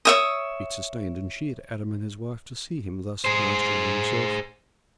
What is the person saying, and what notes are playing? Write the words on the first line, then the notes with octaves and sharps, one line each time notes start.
It sustained and cheered Adam and his wife to see him thus master of himself.
C#5 E5 D#6
G#4 C5